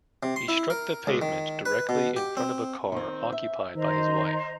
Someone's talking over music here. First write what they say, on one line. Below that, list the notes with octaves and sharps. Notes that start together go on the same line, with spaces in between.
He struck the pavement directly in front of a car occupied by his wife.
C3
C6
E4
A#4
C#2
D#3
B4
B2
G4
C4
D#3 C4
E5
D#3 C5 D#5 A#5